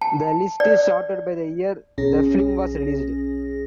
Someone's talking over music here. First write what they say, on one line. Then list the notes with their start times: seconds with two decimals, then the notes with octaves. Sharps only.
The list is sorted by the year the film was released.
0.01 A5
0.60 D5
1.98 B1 C#4 G#4 A#6